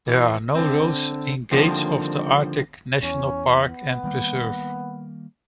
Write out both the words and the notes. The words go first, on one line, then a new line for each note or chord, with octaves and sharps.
There are no roads in Gates of the Arctic National Park and Preserve.
E3
D3 C4
D3 D#3 F3 G3 A#3 C4
E2 C#4
B3
D#3 G3 A#3